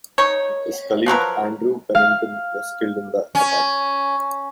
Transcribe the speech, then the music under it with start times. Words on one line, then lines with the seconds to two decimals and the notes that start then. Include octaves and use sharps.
His colleague, Andrew Pennington, was killed in the attack.
0.18 D#4 C#5
1.06 F3 F#3 A#4 B4
1.95 F5
3.35 C#4